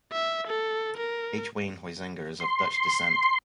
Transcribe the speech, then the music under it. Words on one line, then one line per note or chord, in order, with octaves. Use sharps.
H. Wayne Huizenga is of Dutch descent.
E5
A4
A#4
C6